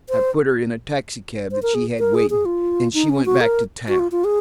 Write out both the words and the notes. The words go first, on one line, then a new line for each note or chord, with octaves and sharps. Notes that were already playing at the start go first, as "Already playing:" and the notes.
I put her in a taxicab that she had waiting, and she went back to town.
C5
C5
A#4
G#4
A#4
G#4
G#4
F4
D#4
C#4
F#4
A#4
F#4
F4
F4
G#4